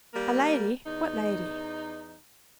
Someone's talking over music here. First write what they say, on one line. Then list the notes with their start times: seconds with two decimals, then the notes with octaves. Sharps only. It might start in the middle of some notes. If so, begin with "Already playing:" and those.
"A lady--what lady?"
0.14 G3 A#3
0.86 E2 D#4